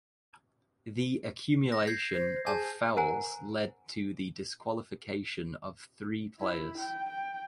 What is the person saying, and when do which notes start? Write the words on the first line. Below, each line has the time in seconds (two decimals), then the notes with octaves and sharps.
The accumulation of fouls led to the disqualification of three players.
1.72 A#6
1.87 G6 G#6 C7
2.14 C5
2.47 G#4 G#5 A5 G6
2.97 A#4 C5 F#5 G#5 A#5
6.40 E4
6.78 G5
7.09 G5